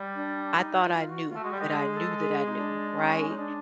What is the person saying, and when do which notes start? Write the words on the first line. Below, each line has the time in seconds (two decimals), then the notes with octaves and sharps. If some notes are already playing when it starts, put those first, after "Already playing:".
I thought I knew, that I knew, that I knew, right,
Already playing: G3
0.15 D4
0.56 D#4
0.82 F4
1.09 F#4
1.29 F4
1.35 A3 F#4
1.44 G#3
1.52 G3
1.55 G#3 G4
1.70 G4
1.76 G#4
1.92 G#4
1.96 A4
2.17 G#4
2.48 D#4
2.57 D4
2.97 C#4
3.28 D#4
3.38 D4